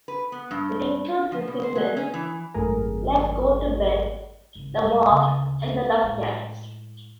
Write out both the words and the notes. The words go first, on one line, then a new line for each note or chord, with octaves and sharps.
It includes the singles "Let's Go to Bed", "The Walk" and "The Lovecats".
B4
B3
G2
F3
B2
C5
F#3
C#4
E3
G#1 F#2 A3 G#4 A#4
G#1 C#3
G#2 G3
D2 C#3
A2 G#3